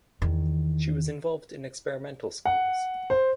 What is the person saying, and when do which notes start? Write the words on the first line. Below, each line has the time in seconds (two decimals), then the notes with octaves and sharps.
She was involved in experimental schools.
0.22 E2 D#3
2.45 F#5
3.10 C5